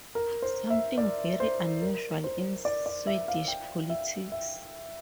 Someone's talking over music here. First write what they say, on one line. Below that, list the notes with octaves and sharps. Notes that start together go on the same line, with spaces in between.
Something very unusual in Swedish politics.
A#4
C5
E5
D5
C5
A#4
C5
D5
D5
E5
F5
G5
E5
E5